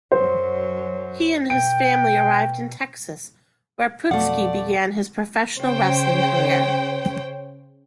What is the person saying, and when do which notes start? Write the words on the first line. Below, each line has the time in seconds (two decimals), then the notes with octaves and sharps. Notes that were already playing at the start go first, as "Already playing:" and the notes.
He and his family arrived in Texas, where Putski began his professional wrestling career.
0.12 F#2 F#3 C5
1.50 B2 G5 D7
4.11 F2 B2 F#3 A3 D5 F5 F#5
5.58 C#3 C5 C#5 G5